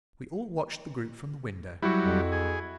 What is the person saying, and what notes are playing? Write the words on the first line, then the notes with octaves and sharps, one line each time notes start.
We all watched the group from the window.
F#3 G3 E4 F#4
F2
G#4